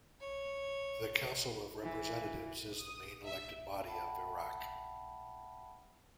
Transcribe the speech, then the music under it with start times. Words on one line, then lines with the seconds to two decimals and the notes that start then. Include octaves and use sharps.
The Council of Representatives is the main elected body of Iraq.
0.21 C#5
1.82 E3
2.75 D#6
3.25 E5
3.88 E5 F#5 G5 A5 B5